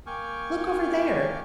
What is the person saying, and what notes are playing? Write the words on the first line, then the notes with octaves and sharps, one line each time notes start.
Look over there!
A#3 G5 G#5 C#6 D6 F6